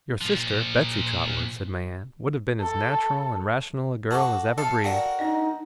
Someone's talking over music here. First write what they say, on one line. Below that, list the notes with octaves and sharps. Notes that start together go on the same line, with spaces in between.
'Your sister, Betsey Trotwood,' said my aunt, 'would have been as natural and rational a girl as ever breathed.
A#2 F3
A4
F#4 A4 A5 C#6 D6
A4 F5
F#4 A#4 D5 F5 G5
D4 D#4 D#5